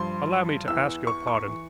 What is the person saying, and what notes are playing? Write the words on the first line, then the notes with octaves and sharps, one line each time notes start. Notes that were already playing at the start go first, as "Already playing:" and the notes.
Allow me to ask your pardon.
Already playing: G2 F3 C6
E2 E3 E6
C#6
C#6
E3